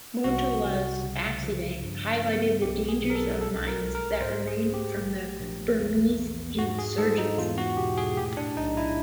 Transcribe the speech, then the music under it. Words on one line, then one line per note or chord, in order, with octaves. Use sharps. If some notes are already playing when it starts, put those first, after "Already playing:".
Motola's accident highlighted the dangers of mines that remain from the Burmese insurgency.
C2 F#4
C2
C#3
F3
G2
B3
B1 G4
G#4
B1
A#4
A4
C2 A4
A#4
G#3
A#4
G#2 C5
G#4
A3
G4
A#1
A#1
E2
E2
G#2 F#4
G#4
G#2 A4
D#4
E2 F4
F#4
B2 G4
G#4
A2 G4
D4
B1 D#4
E4